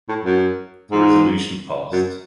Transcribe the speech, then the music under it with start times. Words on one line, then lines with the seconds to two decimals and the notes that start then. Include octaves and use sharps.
The resolution passed.
0.09 A2
0.25 F#2
0.92 G#2
1.92 F#2